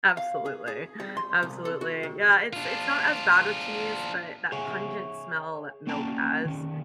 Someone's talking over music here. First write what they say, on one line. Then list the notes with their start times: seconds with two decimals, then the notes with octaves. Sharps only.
absolutely, absolutely. Yeah, it's it's not as bad with cheese, but that pungent smell that milk has,
0.17 F5
0.46 G#4
0.68 G#4
1.00 G3
1.17 C6
1.43 C2
1.65 A4
1.81 F#4
2.03 D#3
2.53 D4 F4
4.52 G#4 C#5 E5 F#5 G#5
5.87 A#3 C#4 D5 G5 A5 A#5
6.45 D#3 C#4